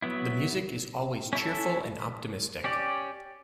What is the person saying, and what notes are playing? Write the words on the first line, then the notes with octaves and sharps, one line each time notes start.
The music is always cheerful and optimistic.
F#3 B3 E4
C#4 E4 A4
C#4 G4 D5